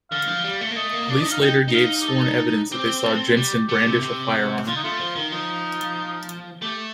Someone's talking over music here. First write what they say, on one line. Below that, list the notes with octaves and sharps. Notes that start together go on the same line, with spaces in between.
Police later gave sworn evidence that they saw Jensen brandish a firearm.
D3 F5
F3
G3
A3
A#3
A3 D#5
A#3
D4 D5
D#4 D#5
F5
D#4 G5
D#4
F5
G4
A4
C4 G4
A4
G3 G4
A3
C3
C3
D3 F4
D#4
A3 F4
F3
D#3
F3 D#4
A3 G4